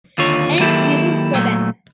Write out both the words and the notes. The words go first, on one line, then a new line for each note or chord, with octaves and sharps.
And we root for them.
D#2 D3 F4 C#5
D#3 F#3 A#3 E4 G4 A4
A#2 F#3 A3